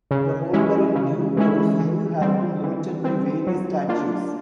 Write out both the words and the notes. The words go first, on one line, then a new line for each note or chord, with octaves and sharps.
The holder in due course rule has been limited by various statutes.
C#3
E3 G#3 C#4 E4
C#3
E3 G#3 C#4 E4
E3
G3 C4
E3
G3 C4
F#3
A#3 D4 F4